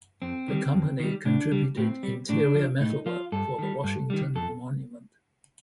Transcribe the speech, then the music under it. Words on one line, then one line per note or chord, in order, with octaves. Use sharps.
The company contributed interior metalwork for the Washington Monument.
F2 C4
D#3 G3
F2
D#3 G3
A2 D4
G3
A2 C4
G3
A2 D4
F3
A2 D#4
F3 F4
G2 A4
D#3 G3
G2
D#3 G3
F2 A4